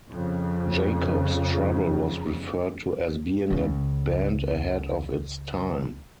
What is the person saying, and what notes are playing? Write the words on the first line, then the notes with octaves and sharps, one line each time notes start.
Jacob's Trouble was referred to as being a band ahead of its time.
F2 C#3
C#2 C#3